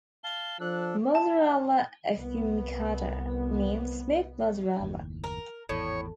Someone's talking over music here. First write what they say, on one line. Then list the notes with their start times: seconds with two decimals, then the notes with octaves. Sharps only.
"Mozzarella affumicata" means smoked mozzarella.
0.24 F5 A5 G7
0.60 F3 D4 A4 F#6
1.15 A5
2.15 C2 B3
4.80 F#1 D#2 A2
5.24 A#4
5.69 G#1 E2 A2 C#5